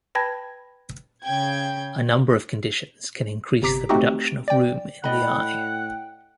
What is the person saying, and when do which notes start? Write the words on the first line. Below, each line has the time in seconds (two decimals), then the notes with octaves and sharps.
A number of conditions can increase the production of rheum in the eye.
0.15 B4 G5 A5 B5 G#6 A#6
1.22 C#3 G5 G#6
3.62 G1 C3 A#5 D6 B6
3.89 A3 C4 D#4 F#4 G4
4.48 D5 G5
5.04 A2 D5 D#5 F#5 G5 B5